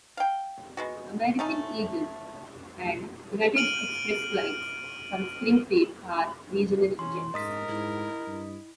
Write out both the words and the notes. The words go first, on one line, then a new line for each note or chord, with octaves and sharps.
American Eagle and United Express flights from Springfield are regional jets.
F5 G5
G#3 B3 F#4
A3 C#4 D#4
F6 D7 D#7 F#7
F#1
E3 C#4 C6
G#2 A#4 D#5 D#6 B6
G#2 E4
G2